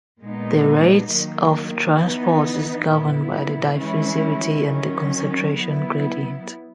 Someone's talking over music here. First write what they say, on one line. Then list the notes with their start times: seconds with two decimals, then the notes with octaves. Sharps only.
The rate of transport is governed by the diffusivity and the concentration gradient.
0.23 A#2 G#3 B3 D#4
1.12 D#3 F#3 A#3
2.02 E3 B3 D#4
2.89 A#2 F#3 B3 E4
3.78 E3 G#3 C#4 E4
4.67 D#3 F#3 C#4
5.56 F#3 B3 E4